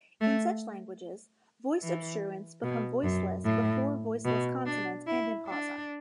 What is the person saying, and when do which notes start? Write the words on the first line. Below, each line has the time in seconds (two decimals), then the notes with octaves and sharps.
In such languages, voiced obstruents become voiceless before voiceless consonants and in pausa.
0.21 A3
1.83 E3
2.63 B2
3.04 F#2
3.44 A2
4.25 B2
4.66 D4
5.07 E4
5.47 D4